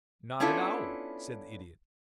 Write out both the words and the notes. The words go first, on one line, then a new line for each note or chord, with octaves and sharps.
"Not at all," said the Idiot.
B3 C#4 D4 E4 F4 A4